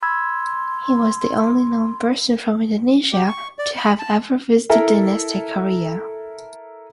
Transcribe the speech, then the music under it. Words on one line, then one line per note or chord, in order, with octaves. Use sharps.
He was the only known person from Indonesia to have ever visited dynastic Korea.
B5 C6 E6 G#6
G4
C#6
D5
B5
A5
E4 A4 A#4